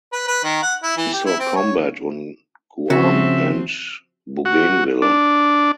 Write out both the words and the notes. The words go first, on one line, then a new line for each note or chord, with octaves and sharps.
He saw combat on Guam and Bougainville.
B4
B4
D#3
F#5
E4
E3
G4
E4
C4
C#5
C#3 F3 C4 F#4 E5
F#4
D4